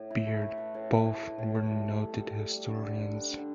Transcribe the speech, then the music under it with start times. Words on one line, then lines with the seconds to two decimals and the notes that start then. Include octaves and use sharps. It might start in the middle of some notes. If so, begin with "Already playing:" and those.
Beard; both were noted historians.
Already playing: A2
0.10 E4
0.26 A3
0.42 A3
0.58 B4
0.74 A2
0.91 A2
1.06 A2
1.23 A4
1.38 A2
1.55 A3
1.70 G3
1.86 G3
2.03 A4
2.19 G3
2.34 A4
2.50 G3
2.67 D3
2.83 D3
2.99 G3
3.16 D4
3.31 D3